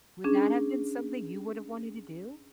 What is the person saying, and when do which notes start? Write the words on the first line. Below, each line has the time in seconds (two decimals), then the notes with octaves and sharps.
Would that have been something you would have wanted to do?
0.24 C#4 D4 G#4